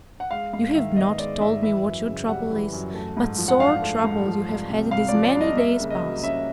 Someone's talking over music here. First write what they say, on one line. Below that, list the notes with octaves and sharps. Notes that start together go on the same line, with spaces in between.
You have not told me what your trouble is; but sore trouble you have had these many days past.'
F#5
G#3 F5
G#2 F5
D#3 E5
B3 D#5
G#3 D5
G#2 E5
E3 E5
F#2
C#3
G3 F#5
E3
F#2
A3
G#2
F3
F#5
D4 F5
A3
G#2
F3
C2
C3
C2 F5
F3 D5
D5
C2
D#5
A#3 E5
C#3
D#5
F#3
C#4 E5